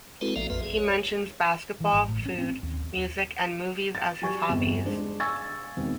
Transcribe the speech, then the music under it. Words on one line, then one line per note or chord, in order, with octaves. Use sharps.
He mentions basketball, food, music and movies as his hobbies.
G#3 C4 E4 F#4 A4 B4
A#1 F3 A#3 D5 E5 F5
A#1 F2 B4 E5
G#4
C#5
E3
G#1
A2
C#4
C4
D#2
A6
F#3 G4 D5 G#5 C#6
G1 E2 C4 E7
G#3 D4 C5 D5
F5 G#5 C#6 E6 G#6 A6
E1 B2 D#3 C4